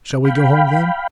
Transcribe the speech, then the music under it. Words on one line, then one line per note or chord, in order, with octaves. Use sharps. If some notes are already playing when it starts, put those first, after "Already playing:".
'Shall we go home, then?'
F5 G5 B5